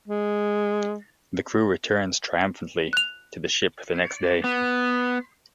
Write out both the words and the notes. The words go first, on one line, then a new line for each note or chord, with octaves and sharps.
The crew returns triumphantly to the ship the next day.
G#3
F#6 F7
B3